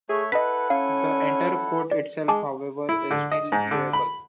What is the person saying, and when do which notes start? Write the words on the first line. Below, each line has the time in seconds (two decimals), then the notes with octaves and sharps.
The entire court itself, however, is still viewable.
0.09 A3 G#4 C#5 E5
0.32 E4 A4 B4 D#5 F#5 B6
0.70 C#4 F5
1.91 D5
2.28 G#3 G#5 A5 D6
2.89 E4
3.11 D3
3.32 D#5
3.52 G#2
3.71 D3
3.93 B5